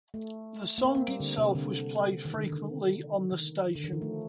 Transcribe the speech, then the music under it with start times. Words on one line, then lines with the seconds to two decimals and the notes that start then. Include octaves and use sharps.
The song itself was played frequently on the station.
0.14 A3
0.78 A#3
0.85 C4
0.96 A#3
1.08 G3
1.20 D3
1.38 C3
1.55 D3
2.25 D#3
2.34 D3
2.43 D#3
2.52 D3
3.32 D#3
3.75 D3
3.84 D#3
3.93 F3
4.02 A3